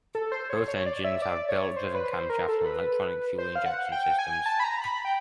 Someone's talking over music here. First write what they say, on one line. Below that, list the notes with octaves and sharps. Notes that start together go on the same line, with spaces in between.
Both engines have belt driven camshafts and Electronic Fuel Injection systems.
A4
C5
C#5
C#5
D5
E5
D5
C#5
C5
B4
C5
A#4
A4
B4
C5
F5
F#5
G5
G#5
A5
B5
A#5
B5
G5